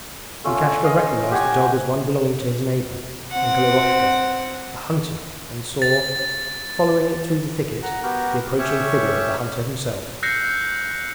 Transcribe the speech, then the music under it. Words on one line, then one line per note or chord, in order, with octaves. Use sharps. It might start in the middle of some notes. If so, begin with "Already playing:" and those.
Lukashka recognized the dog as one belonging to his neighbour, Uncle Eroshka, a hunter, and saw, following it through the thicket, the approaching figure of the hunter himself.
A3 C#4 F4
D#5 F5
G4 F#5 G#5 C#6
C4 F#5
A6
F#5 A#5
B3 F#4 G4 A#4
C#4 G4 C#5 E5 C#6
E6 F#6 G6 A#6 C7 C#7